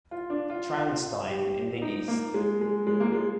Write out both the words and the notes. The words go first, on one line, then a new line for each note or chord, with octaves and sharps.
Traunstein in the east.
F4
D4
F4
F4
G4
D#4
A#3
G#3
G#3
G#3
A#3
G#3